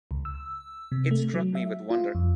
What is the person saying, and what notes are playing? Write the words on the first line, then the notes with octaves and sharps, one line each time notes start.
It struck me with wonder.
C#2
E6
C3
A3
F#3
E5
F4
F2